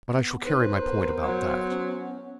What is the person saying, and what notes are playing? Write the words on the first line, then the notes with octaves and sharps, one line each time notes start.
But I shall carry my point about that.
B3
D#4 B4 C5
B3 A#4
F#3
C#4